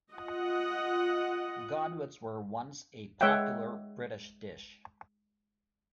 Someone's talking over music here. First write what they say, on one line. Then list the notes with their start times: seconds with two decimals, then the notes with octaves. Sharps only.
Godwits were once a popular British dish.
0.12 F4 D#5 F#5
3.21 G#3 C#5 E5 F#5 G5